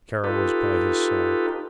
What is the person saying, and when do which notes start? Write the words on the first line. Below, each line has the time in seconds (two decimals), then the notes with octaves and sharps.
Kara was by his side.
0.24 D#4 F4 G4 A4 B4